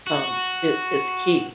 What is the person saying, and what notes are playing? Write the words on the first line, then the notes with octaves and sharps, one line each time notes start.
um, i is key.
F#4